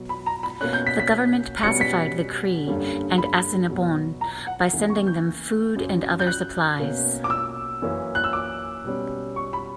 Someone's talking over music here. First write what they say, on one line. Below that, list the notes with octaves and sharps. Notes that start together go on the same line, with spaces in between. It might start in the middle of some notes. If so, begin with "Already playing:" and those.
The government pacified the Cree and Assiniboine by sending them food and other supplies.
Already playing: B2 F#3 B3
B5
A#5
B5
B2 A#3 C#4 F#6
G6
B6
B6
B2 G3 C#4 C#7
B6
G2 D3 G3 A#3 C#4
B5
E2 B2 F#3
A#5
F#5
E2 C#3 E3 A#3
C#6
G6
F#2 C#3 F#3
G6
F#6
B2 A#3 C#4
D6
E6
F#2 E3 A#3 C#4
F#6
E6
D6
B2 G3 C#4
C#6
B5